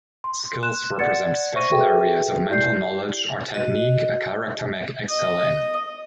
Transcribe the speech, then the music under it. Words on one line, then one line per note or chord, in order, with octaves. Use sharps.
Skills represent special areas of mental knowledge or technique a character may excel in.
C6
C6 F#6 E7
D5 F#5 G#6 A6 C#7
C5 E5 C#6 A#6 D#7
F#4 G#4 A4 B4 E5 G5
E4 G4 D5 G6 C7
F#4 D#5
D#5